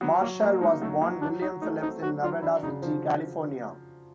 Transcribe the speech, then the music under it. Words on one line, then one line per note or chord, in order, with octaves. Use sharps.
Marshall was born William Phillips in Nevada City, California.
F#3 B3
F#3 A#3
A3 A#3
G#3 D#4
F#3 A3
F#3 A#3
F#3 D4
F#3 D#4
A3 D#4
C4 D#4
F#3 F#4
F#3 F4
D4 E4
C#3 D#4
F3